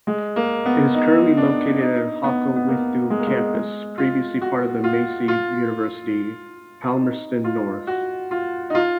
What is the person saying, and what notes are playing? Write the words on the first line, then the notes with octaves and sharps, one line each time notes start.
It is currently located at Hokowhitu Campus, previously part of Massey University, Palmerston North.
G#3
A#3
B3
D#4
D4
D#4
B3
B3
A#3
G#3
A#3
G#3
G#3
F4
F#4
F4
F4
D#4
F4
F#4
F4
D#4
F4